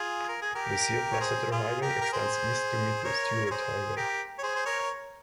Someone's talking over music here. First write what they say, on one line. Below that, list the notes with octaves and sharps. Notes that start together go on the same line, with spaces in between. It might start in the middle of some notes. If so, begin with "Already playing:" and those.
The sealed Lasseter Highway extends east to meet the Stuart Highway.
Already playing: F4 G#4
A#4
G#4
G4 A#4
C#5
G#4 C5
F4 G#4
G4 A#4
A#4
G#4 C5
A#4 C#5
C#5
G#4 C5
G4 A#4
C#5
G#4 C5
C5
A#4 C#5